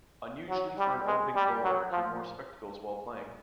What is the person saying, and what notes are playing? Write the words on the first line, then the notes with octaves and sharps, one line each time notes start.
Unusually for an opening bowler, he wore spectacles while playing.
F#3
G3
G#3
G3
F#3
F3